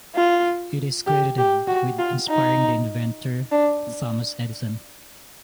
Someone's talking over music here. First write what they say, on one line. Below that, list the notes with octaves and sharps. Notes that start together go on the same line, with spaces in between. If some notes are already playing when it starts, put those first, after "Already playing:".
It is credited with inspiring the inventor Thomas Edison.
F4
G4
G4
F#4
F4
D#4
D4